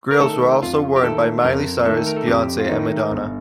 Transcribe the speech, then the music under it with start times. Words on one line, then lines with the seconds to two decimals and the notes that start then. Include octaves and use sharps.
Grills were also worn by Miley Cyrus, Beyonce, and Madonna.
0.11 A#4
0.21 D#3 A3 A4
0.62 F2 F4
0.96 G4
1.03 D#3 A3 A4
1.44 F2 A#4
1.86 D#3 A3 A4
2.07 A#4
2.16 A4
2.27 F2 G4
2.60 F4
2.69 D#3 A3 D#4
3.11 G1